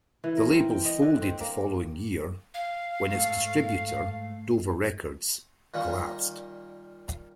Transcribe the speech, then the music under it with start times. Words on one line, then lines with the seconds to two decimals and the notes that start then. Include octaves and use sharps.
The label folded the following year, when its distributor, Dover Records, collapsed.
0.24 E3
0.37 A#4
0.52 C4
0.70 G5
0.85 D#5
1.02 D3
1.22 C4
1.40 A#3
2.54 F5
3.13 G#2 A3 A4
5.74 A#2 D#3 G3 A#3